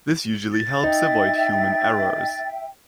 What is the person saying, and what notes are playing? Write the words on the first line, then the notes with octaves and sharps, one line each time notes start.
This usually helps avoid human errors.
A6
D#4 E5 G5